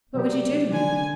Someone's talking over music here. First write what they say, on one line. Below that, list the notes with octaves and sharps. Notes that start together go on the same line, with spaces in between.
"What would you do to me?"
C3 F#3 G4 D5
D3 G#5